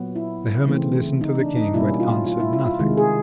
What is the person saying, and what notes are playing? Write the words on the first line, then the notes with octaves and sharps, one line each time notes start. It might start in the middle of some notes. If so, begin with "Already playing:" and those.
The hermit listened to the King, but answered nothing.
Already playing: A#2 F#3 B3
E4
C#3 E3 A3 C4
D#4
D4
D#4
B2 G3 A#3 C#4 E4
F4
F4
E4
E4
F4
C3 D#3 G#3
G#4